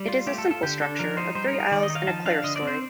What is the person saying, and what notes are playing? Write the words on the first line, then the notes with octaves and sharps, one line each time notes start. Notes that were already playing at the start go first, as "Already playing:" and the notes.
It is a simple structure of three aisles and a clerestory.
Already playing: G3
F4
A3 G4
A4
F4
A4
D3 G4
D4 A4
F3 A#4
D#4 C5
G3 C5
A#4
D#4
A#4
D#3 D5
D#5
D#4
F5
F3 A5
D4 F5
D3 D#5
D5
C4
C5